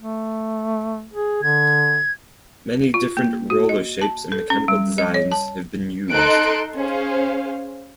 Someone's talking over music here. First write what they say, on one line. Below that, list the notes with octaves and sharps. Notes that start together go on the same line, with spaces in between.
Many different roller shapes and mechanical designs have been used.
A3
G#4
D3 G#6
F4
A#3
F#4
D#5
A5
A4
C#4
G3
D#5
C#5
A5
D#4 A4 C6 F#6 D7
C#4 G#4 C5 F5